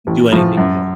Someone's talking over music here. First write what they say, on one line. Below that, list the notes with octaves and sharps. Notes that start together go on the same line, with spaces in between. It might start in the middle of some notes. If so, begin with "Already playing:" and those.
and do anything you want.
A1
A2 F3
F#2